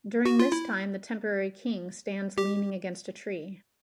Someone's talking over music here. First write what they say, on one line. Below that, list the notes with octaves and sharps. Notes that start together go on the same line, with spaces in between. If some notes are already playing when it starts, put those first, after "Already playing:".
During this time the temporary king stands leaning against a tree.
F#4
F4
E4
G4